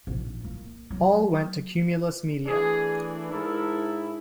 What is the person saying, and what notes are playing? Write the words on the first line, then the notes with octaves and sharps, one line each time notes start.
All went to Cumulus Media.
A#1 D#3
A#3
F#3
E3 A3 D4 G#4
G#2 E4 A4 A#4 A5